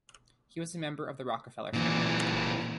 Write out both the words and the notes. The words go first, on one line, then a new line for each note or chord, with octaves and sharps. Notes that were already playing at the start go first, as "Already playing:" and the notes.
He was a member of the Rockefeller family.
A#2 E3